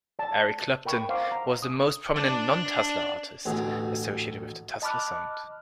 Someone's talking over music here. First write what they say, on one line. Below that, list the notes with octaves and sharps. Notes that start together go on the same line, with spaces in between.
Eric Clapton was the most prominent non-Tulsa artist associated with the Tulsa sound.
D5 A5
A#4 G5 B5 C#6
C5 F5 F#5 A#5 C6 D6
A#5
D#6
D4 D5
A1 D2 B2 D3 G#4
D#5 A5 B5 D6 F6 F#6